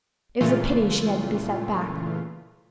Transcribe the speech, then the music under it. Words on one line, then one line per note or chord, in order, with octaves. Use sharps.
It was a pity she had to be sent back.
A#2 C#3 E3 A3 F4